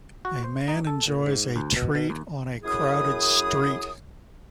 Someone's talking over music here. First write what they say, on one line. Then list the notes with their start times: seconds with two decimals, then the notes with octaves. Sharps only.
A man enjoys a treat on a crowded street.
0.25 F#4
0.44 C5
0.68 D#4
0.87 A4
1.07 A#2
1.26 G#2
1.56 D2
1.76 B2
1.95 B2
2.10 D#2
2.63 F#2 E4 G#4 D#6